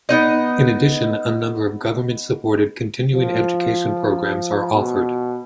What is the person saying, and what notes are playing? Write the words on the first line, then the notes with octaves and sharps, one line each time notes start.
In addition, a number of government-supported continuing education programs are offered.
B3 D#4 D#5
F3
B2